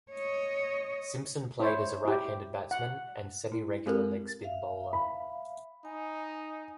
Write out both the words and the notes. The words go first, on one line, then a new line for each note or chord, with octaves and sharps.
Simpson played as a right-handed batsman and semi-regular leg spin bowler.
C#5 D#5
E4 C5 C#5
E4 G4
F#5
E4
G#3 C4 G4 A4 A#4
E5 F5
B5
D#4 G#5